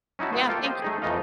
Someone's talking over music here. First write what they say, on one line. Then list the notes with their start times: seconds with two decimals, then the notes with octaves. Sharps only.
Yeah, thank you.
0.19 C#4 D#4 E4 F#4 A5
0.33 B3 E4 F#4 B4 C5
0.47 A#3 F4 A4 F5 G5
0.63 G4 C5 D#5
0.82 A3 D#4 G#4
1.02 F2 E3 A3 D#4 D#5 F5